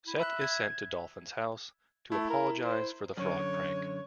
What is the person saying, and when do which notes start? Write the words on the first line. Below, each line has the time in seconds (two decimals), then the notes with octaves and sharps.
Seth is sent to Dolphin's house to apologise for the frog prank.
0.07 E4
0.20 E5 B5 F#6
0.41 G#6
2.12 A3 E4
2.30 A#4
2.65 C5
3.17 F#2 D3 C#5